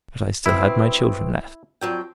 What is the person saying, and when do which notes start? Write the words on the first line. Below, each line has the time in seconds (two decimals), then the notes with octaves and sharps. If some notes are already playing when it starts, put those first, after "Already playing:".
But I still had my children left.
0.46 B2 C4 E4
1.81 F2 F#3 G5